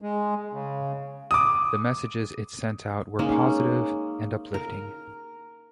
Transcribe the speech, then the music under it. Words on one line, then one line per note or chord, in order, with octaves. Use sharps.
The messages it sent out were positive and uplifting.
G#3
C#3
D6 D#6
G#3 A#3 C#4 D#4
A#4